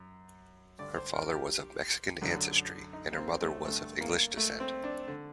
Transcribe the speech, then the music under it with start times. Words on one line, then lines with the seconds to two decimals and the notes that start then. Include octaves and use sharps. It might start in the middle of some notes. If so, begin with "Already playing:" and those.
Her father was of Mexican ancestry, and her mother was of English descent.
Already playing: F#2
0.78 G2 D3 D5
0.96 C5
1.14 A#4
1.32 G4
2.21 F#2 D3
2.93 D#4
3.12 A#3
3.17 C4
3.41 A3
3.65 G2 D3 A3
4.01 A#3
4.37 A3
4.60 C4
4.84 D4
5.08 D3